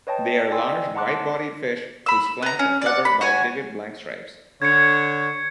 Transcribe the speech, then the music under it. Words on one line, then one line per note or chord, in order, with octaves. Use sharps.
They are large, wide-bodied fish whose flanks are covered by vivid black stripes.
B4 C#5 D#5 G5 A5
D5 D#5 G5 G#5 C6 E6
F#5 A5 A#5 C6 D6 F#6
A5
B5 E6
B3 A#5
C#4
D5 F#5
B5
F#4 C#5 G#5
D3 C#5 G#6 C#7